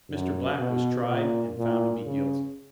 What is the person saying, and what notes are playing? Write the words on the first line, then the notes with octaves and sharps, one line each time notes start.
Mr. Black was tried and found to be guilty.
F#2
B2
A#2
A#2
C#3